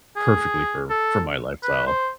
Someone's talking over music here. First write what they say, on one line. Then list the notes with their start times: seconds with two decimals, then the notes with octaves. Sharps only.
perfectly for for my lifestyle.
0.16 G#4
0.90 A4
1.63 B4
1.87 C5